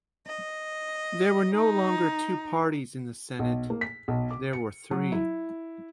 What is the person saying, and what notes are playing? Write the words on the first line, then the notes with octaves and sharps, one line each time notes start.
There were no longer two parties in the senate—there were three.
D#5
D#4
B1
A#3
B6
B1
D6
C#7
F#3
E4